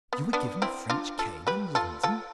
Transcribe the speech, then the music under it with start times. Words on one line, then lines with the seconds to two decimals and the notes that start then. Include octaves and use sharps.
"You were given a French cane in London!"
0.13 B3
0.33 B3 D4
0.62 C4 E4
0.90 D4 F4
1.19 F4 A4
1.47 G4 B4
1.75 F4 A4
2.03 F4 A4